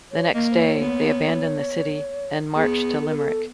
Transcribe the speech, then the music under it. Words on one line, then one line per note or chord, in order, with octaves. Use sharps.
The next day, they abandoned the city and marched to Limerick.
C#5
A#3 D#5
C5
C#5
B3
B3 G#4
A4
A#4
A4